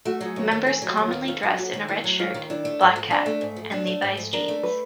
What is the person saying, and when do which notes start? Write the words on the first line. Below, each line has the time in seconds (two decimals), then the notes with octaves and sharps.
Members commonly dress in a red shirt, black hat and Levi's jeans.
0.05 A3 F#4
0.21 F#3 G#4
0.36 D#2 A#4
0.46 A4
0.51 D#3
0.66 A3 G#4
0.82 F#3
0.88 G4
0.97 D#2
1.07 F4
1.13 D#3
1.27 A3 F4
1.43 F#3
1.58 D#2 F#4
1.73 D#3
1.88 A3 E4
2.04 F#3
2.19 D#2 F4
2.34 D#3
2.50 D4 E4
2.65 A3
2.81 G#2
2.96 F3
3.11 D4
3.26 A3
3.41 G#2
3.56 F3
3.72 D4
3.87 A3
4.02 G#2
4.17 F3
4.33 D4 A#4
4.48 A3
4.63 B4